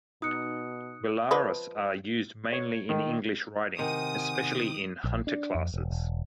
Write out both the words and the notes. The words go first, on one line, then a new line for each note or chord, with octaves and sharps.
Welaras are used mainly in English riding, especially in hunter classes.
B2 D#4 D#6 F#6 C#7
F3 B4 D#5
C#5
D#3
C3 D#3 F#5 G#5 D#6
A#1
D4
F2
E1
E1